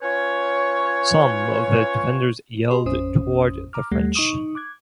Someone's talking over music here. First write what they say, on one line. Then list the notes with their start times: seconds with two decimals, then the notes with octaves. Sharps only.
Some of the defenders yelled toward the French.
0.02 C#4 F4 B4 C#5
2.70 G4 D#5 C6
2.85 A1 F2 C#4 C5 D#6
3.73 A#5 D6 F6
3.92 D#2 G3 A3
4.15 D#4 C#6 D#6
4.55 D6 F#6 G#6